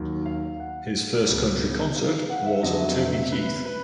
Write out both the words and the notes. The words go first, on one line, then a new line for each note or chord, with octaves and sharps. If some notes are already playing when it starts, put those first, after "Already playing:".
His first country concert was Toby Keith.
Already playing: D#2 D#3 F#3
F5
F#5
C#2 B2 F#3
F5
F5
F#5
E5
F2 D3 F#3 D#5
E5
E5
E5
B4
B4